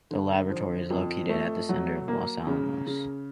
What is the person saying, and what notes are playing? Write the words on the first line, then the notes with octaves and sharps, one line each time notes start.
The laboratory is located at the center of Los Alamos.
D3
F3
F2
A3
F#3
A#3
C#3
C#3